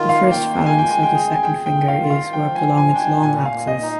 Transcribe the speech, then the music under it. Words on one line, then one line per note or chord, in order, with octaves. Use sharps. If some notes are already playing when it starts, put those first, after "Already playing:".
The first phalanx of the second finger is warped around its long axis.
Already playing: D#3 F4
F5
A#3
G5
G#3 G5
G#5
G5
G#3
G#5
G5
G#4
G#5
G#4 G5
G5
D#3
F5
F4
F5
F3 G5
G#5
F3
G#5
D4 G5
G#5
A#2 G#5
F5
A#2
D#5
D#4